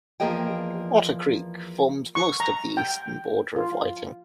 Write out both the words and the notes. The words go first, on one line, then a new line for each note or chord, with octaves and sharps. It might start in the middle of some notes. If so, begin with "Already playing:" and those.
Otter Creek forms most of the eastern border of Whiting.
E2 F3 A#3 G#4 D#5 G5
C#6
A#5
G5
F4